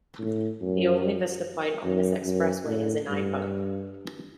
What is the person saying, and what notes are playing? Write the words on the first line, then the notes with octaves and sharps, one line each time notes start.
The only vista point on this expressway is in Ipoh.
A2
F#2
F#2
F#2
A2
G2